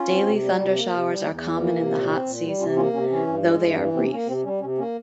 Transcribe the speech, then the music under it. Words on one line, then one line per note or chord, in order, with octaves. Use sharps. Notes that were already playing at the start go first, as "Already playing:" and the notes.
Daily thundershowers are common in the hot season, though they are brief.
Already playing: C#4 F4
C4
C3
G3
C3
A#3
C3
G3
E2
E3
A#3
C3
A#2
C4
A#2
G3
C3 C#4 F4
A#3 C#4 F4
C3 C#4
E3 C#4
G2
G#3
G2
E3
C3 C4
A#3 C#4
C3 C4
G3 C#4
C3 C#4
A#3 C#4